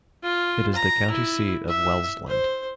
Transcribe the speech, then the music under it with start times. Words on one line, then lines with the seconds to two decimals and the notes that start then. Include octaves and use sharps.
It is the county seat of Wels-Land.
0.23 F4
0.75 A#5
1.11 E4
1.68 E5
2.28 C5